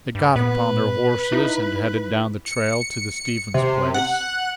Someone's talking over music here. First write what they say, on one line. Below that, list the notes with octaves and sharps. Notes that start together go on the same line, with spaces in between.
They got upon their horses and headed down the trail to the Stevens place.
G2
A#2 B3 B4
D#4 E4
C#7
C3
F#5